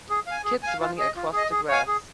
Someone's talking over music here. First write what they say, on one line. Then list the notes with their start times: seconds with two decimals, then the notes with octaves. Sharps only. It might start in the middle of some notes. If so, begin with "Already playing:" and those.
Kids running across the grass.
0.10 G#4
0.27 F5 G#5
0.44 G#4
0.63 F5 G#5
0.81 F4
0.98 G#4 D#5
1.16 F4
1.33 G#4 D#5
1.51 G#4
1.68 C#5 F5 G#5
1.87 G#4